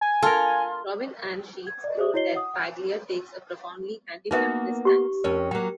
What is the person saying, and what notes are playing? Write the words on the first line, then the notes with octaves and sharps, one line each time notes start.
Robin Ann Sheets wrote that Paglia takes a profoundly anti-feminist stance.
G#5
F4 A4 A#4
G#6
D5 D#5
G#4 C5 E5 D#6
E4 F#4 C#5 D#5 C7 G7
F#5 D#6
F#5 F6 G6
A#3 B3 D#4 F#4 B4 E5
G4 C#6
F2 C#4 A#4 C#5
F#3 A#3 G5